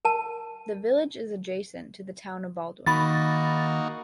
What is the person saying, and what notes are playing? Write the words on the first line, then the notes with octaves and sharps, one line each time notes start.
The village is adjacent to the Town of Baldwin.
A#4 A5
D#3 A#3 D#4 F#4 B5 A6